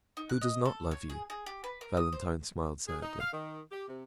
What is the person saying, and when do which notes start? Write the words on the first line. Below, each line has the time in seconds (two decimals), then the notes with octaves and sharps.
"Who does not love you?" Valentine smiled sadly.
0.17 D#4
0.29 F#6
0.41 D#5
0.65 A4
0.91 C#5
1.10 G#4
1.30 G#4
1.46 G4
1.64 B4
1.81 A#4
1.97 D#6
2.12 C5
2.87 G#4
3.03 D#4
3.19 F5
3.32 D#3
3.71 G4
3.88 C3